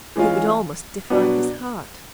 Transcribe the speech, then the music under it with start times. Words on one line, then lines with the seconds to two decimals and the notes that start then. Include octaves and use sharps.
He could almost defy his heart.
0.16 E3 G#3 C#4 F4
1.10 B2 F#3 B3 D4